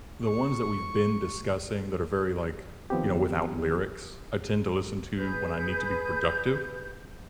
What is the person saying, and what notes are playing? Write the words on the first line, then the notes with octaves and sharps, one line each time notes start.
the ones that we've been discussing that are very, like you know, without lyrics, I tend to listen to when I need to be productive.
C#6
D#3 F3 B3 C4 G4
G#4 B4 G6